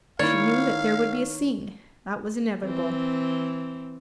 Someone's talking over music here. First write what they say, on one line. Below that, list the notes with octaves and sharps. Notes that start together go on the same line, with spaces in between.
She knew that there would be a scene; that was inevitable.
D#3 A#3 D#4 E4 C#5 D5 F5
E3 C4